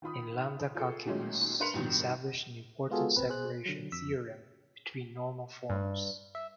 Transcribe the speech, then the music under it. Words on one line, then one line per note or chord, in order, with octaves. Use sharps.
In lambda-calculus, he established an important separation theorem between normal forms.
D#3 F4 B5 D#6
F4 G#4 A4
A#2 D#3 F#3 G#3 A3 C#4
D4 A#4 B4 C6 C#7 F7
G2 B2 D#3 F3 G3
G#3 B3 F4 F#4 G#4 A4
A#1 C4 B4
B2 G#4 C5 F#6
D3 F#3
F2 E6 B6
G2
E5